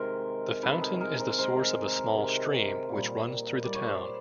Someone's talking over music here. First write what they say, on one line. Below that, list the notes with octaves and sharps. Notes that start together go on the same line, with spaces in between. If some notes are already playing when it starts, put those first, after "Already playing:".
The fountain is the source of a small stream which runs through the town.
Already playing: C3 D#3 G#3 A#4 C5
C3 D#3 G#3 A4 B4
G#4 A#4
G#4 A#4
A#4 C5
C3 D#3 G#3 A#4 C5
C3 D#3 G#3
A#2 G3
A#2 G3 D5
C#5
C5 D5